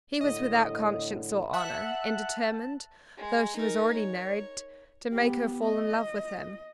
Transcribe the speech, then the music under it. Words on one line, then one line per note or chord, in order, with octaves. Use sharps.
He was without conscience or honor, and determined, though she was already married, to make her fall in love with him.
A2 D3 D#5
E5 F#5 A5 F#6
G#3
D#4 A#4
C#5
B3 G4
D#5